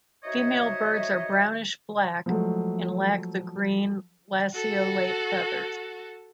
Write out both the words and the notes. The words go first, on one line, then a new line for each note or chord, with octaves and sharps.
Female birds are brownish black and lack the green lanceolate feathers.
D#4 F#4 C5 C#5 D#5 E5
F3 F#3 G#3 A3
F#4 A4